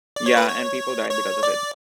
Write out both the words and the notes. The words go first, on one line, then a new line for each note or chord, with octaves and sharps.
Ya and people died because of it.
D5
C#5
B4
C#5
C#5
D5